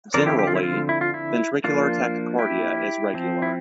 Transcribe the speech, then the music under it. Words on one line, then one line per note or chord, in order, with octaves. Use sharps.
Generally, ventricular tachycardia is regular.
D3 F3 C4 A#4 D5
E4 G4
G4
F4
E4
F4
E4
F4
E4
F3 A#3 D4 F4
E4 G4
F3 C4
E4